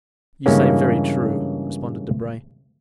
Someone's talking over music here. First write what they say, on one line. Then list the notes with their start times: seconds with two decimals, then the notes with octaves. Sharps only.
"You say very true," responded Debray.
0.46 G2 C#3 E3 G#3 A#3 C#4